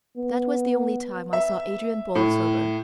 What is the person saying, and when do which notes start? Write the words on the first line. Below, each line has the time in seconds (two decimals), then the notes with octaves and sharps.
That was the only time I saw Adrian Borlsover.
0.18 B3
1.33 E5
2.15 A2